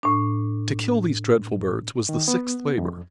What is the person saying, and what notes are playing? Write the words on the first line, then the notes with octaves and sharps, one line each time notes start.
To kill these dreadful birds was the sixth labor.
A2 D4
D#3
B3
F2